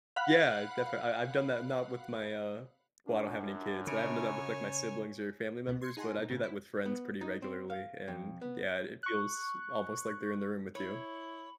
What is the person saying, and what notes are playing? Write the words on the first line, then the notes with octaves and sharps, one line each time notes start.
Yeah, definitely I I've done that, not with my, uh well, I don't have any kids, but I haven't done that with, like, my siblings or family members, but I do that with friends pretty regularly, and yeah, it feels almost like they're in the room with you.
F5 F#5 B5 F#6
F#2 D4
C#3 C#5 G#5
C#2 B2 B3
C6 G#6 C7 C#7
D#4 G#4 F#5 G#5 A5 C6
B2 D#4
A2 C#3 A3 C#4
E4
B3
D#4
C4
F5
F2
B3
C#6 F#6
E4 C#5 B5